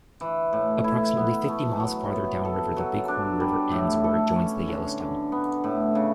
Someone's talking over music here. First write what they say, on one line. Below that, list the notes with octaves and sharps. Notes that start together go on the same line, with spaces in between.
Approximately fifty miles farther downriver, the Bighorn River ends where it joins the Yellowstone.
E3
A2
E4
B3
A3
F#3
B3
A4
F#3
D4
G3
A2
A4
C#4
D3
D3
B3
A2
C#3